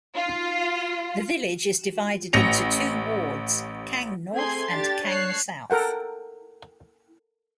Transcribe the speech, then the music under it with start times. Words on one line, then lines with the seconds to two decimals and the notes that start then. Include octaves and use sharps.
The village is divided into two wards, Kang North and Kang South.
0.16 F4
2.33 A1 A#6 C#7 F7
4.34 A3 C4 G#4 C6 G#6 C7
4.72 D4 G4 A6
5.06 C#5 A5 F#6 C7
5.70 A4 A#4 F#5 G5